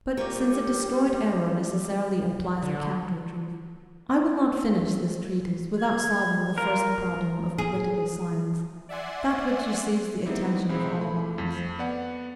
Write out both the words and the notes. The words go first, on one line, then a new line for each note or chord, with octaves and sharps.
But, since a destroyed error necessarily implies a counter-truth, I will not finish this treatise without solving the first problem of political science,--that which receives the attention of all minds.
G3 A#3 F4 G4 C#5
D3
G#6
F4 A#4
G#4
D5 E5 F#5 G#5 C6
G3 B3 C4 D#4 E4 G4
B1 C4 G#4 B5
A3 B5
F2 B6
B3 D5 F#5